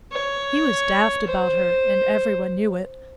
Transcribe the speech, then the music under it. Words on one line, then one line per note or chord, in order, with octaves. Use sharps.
He was daft about her, and every one knew it.
C#5
C5